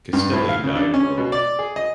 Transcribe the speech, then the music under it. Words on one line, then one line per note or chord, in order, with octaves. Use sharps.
Castelli died in Rome.
G2
A2
F5
C#3
D4
C#4
B2
D5
G#4
D#5